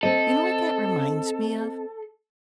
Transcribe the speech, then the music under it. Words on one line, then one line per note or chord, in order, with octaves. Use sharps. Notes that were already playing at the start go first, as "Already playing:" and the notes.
You know what that reminds me of?
C4 A4 D#5